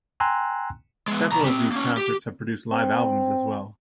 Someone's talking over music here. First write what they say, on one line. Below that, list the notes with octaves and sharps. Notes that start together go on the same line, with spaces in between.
Several of these concerts have produced live albums as well.
G5 G#5 A#5 C6 E6 F#6
G#3 B3
B1 A#5
G3 C4
A#3 C#4
G4
C4